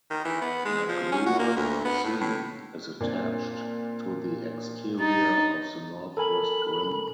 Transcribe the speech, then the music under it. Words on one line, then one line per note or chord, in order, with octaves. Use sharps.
McClure C is attached to the exterior of the northwest rim.
D#3
E3
B3
G#3
F3
C#4
F#4
A#3
D2
B3
A2
A2
A#2 C4 D4
D#4 A6
A4 A#4 G#5 B5